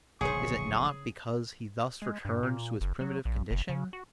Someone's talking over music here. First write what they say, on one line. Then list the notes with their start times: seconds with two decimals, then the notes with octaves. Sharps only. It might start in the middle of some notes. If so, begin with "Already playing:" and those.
Is it not, because he thus returns to his primitive condition?
0.21 D1 A#1 C#3 G#4 C5 C#6
2.02 G#3
2.25 G2
2.43 A#2
2.81 F#1
3.01 F#3
3.25 A#1
3.51 F#1
3.69 C#3
3.93 F#4